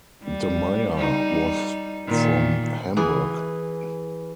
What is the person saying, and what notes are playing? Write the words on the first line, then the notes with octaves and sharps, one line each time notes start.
DeMayer was from Hamburg.
G3
G3 D#4
A#2 D#3
E3 G#4